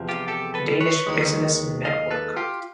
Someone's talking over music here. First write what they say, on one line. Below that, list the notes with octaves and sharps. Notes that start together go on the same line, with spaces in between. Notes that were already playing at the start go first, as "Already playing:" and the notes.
Danish Business Network.
Already playing: E2 C3 F3
F4 G4
G4 A4
A4 B4
B4 C#5
D#2 D#3 G#3
D#5 F5
A4 B4
F4 G4